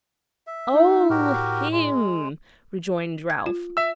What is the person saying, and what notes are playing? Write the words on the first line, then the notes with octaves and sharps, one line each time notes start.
'Oh HIM!' rejoined Ralph.
E5
D#4
A2 F#4 G4 A#4
G#3
G#6
F4
E5 E6